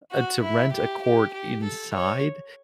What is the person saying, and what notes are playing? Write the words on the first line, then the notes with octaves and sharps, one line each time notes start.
uh, to rent a court inside
F#4
E4
G4
G4
G4
A4
C#5